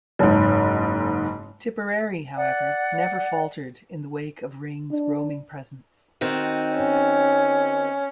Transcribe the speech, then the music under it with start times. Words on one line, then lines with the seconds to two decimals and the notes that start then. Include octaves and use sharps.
Tipperary, however, never faltered in the wake of Ring's roaming presence.
0.19 F#1 G#2
2.37 D5 F#5
4.92 D4
6.21 D#3 C4 F#4
6.77 C#4